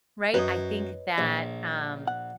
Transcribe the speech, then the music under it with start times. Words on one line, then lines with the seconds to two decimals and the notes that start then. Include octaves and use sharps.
right? I think that, um,
0.34 F#2 B4 C#5 D#5
1.18 A#1
2.08 F#5